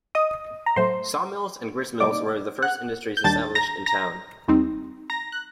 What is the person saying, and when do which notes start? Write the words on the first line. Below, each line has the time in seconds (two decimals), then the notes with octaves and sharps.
Saw mills and gristmills were the first industries established in town.
0.15 D#5 D#6
0.66 A#5
0.76 A2 F#3 A3 C5 C6
2.00 C3 G3 A#3 D#4 D5 D6
2.62 F#5 F#6
3.17 G6
3.24 D#2 D#3 G3 D4 A5 A6
3.55 A#5 A#6
3.86 A#5 A#6
4.48 D#2 D#3 G3 C4 D#4
5.10 A#5 A#6
5.32 F#6